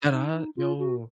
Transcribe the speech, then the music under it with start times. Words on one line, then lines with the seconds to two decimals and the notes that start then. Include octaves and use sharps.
And I yo
0.13 D#4
0.34 D#4
0.57 F4
0.79 F#4